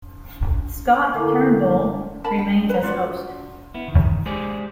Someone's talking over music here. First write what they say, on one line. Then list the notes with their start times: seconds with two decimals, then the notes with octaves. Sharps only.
Scott Turnbull remains as host.
1.14 D3 A3 A#3 E4 G#5
2.24 A#4 A5 B5
2.38 G5
2.69 B4 A#5
2.83 F4 F#4 D5
3.74 B3 E4
3.88 D#3
4.26 G#3 G4 G#4 C5 D5